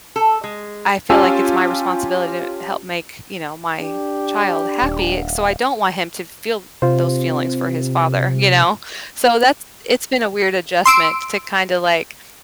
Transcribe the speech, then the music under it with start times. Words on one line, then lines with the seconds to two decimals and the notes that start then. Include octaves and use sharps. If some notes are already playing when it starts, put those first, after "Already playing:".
I feel like it's my responsibility to help make, you know, my child happy. So, I don't want him to feel those feelings for his father. You know? So that's It's been a weird adjustment to kinda, like,
0.16 A4
0.44 G#3
1.10 C#4 F4 G4 G#5 A5 E6
3.80 D4 G4
4.82 D#1
6.82 C3 F4 C5
10.86 C6 E6 D7